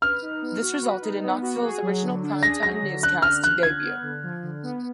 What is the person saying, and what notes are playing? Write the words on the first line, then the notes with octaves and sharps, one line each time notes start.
This resulted in Knoxville's original prime time newscast to debut.
B4 F6
D#4
B3
F#4
B4
D#4
B3
F#4
G#4
F#3
D3
D4
G#4 A#6
F#3 A#6
D3
D4 F#6
D3 F6
F3 F#6
D3 G#6
B3
D3
F3
D3
B3